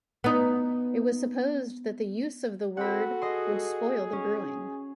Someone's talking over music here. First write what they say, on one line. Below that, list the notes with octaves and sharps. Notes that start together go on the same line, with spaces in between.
It was supposed that the use of the word would spoil the brewing.
B3 D#4
C4 F#4 A4 F#5 B5
G#4 D#5 C6
C#4